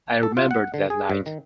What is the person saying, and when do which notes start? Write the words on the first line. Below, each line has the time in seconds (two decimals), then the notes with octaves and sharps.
I remember that night.
0.23 A4
0.37 F4
0.51 F#5
0.74 D3
0.90 G#4
1.10 G2
1.26 D#3